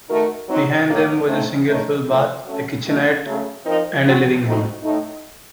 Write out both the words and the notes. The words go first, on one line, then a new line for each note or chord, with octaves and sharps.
Behind them was a single full bath, a kitchenette, and a living room.
D#3 A3 D#4 F#4 A#4
F#3 C4 D#4
A2 F#3 A#3
C#3 A3 C4 D#4
A3 D#4 A#4 C#5
A2 F3 A3 C4 F4
F#3 A3 C#4
D#3 A3 D#4 F#4
C#3 F#3 A3
F3 C4 D#4 A#4
F#3 C4 F#4
A3 C4 D#4 F#4
A2 A3 D#4